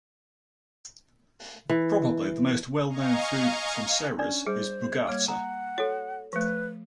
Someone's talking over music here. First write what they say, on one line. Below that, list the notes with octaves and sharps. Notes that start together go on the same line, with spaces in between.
Probably the most well-known food from Serres is Bougatsa.
E3
D#5 F5 G#5 A#5 C#6
C#4 D4 D5
G3 G#4 C5
G3 A#3 C#5 D6
F#5 A#5
F#4 A4 C#5
F3 A3 B4